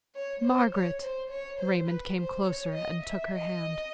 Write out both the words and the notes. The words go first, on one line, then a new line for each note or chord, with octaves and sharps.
"Margaret!" Raymond came closer and took her hand.
C#5
C5
C#5
C5
C#5
C5
B4
C5
C#5
D#5
E5
D#5